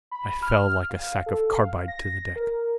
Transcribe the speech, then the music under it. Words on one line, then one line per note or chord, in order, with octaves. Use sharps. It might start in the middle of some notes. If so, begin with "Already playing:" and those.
I fell like a sack of carbide to the deck.
B5
F6
F5
A4
F5
A#6
A#4